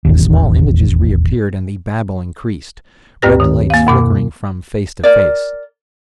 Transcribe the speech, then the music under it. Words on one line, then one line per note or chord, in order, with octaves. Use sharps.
The small images reappeared and the babble increased, red lights flickering from face to face.
E1 A1 D#2
D2 G2 C4 G4 B4 A#6
D#3
A#3 F5
F#2 B2 D6
A#4 D5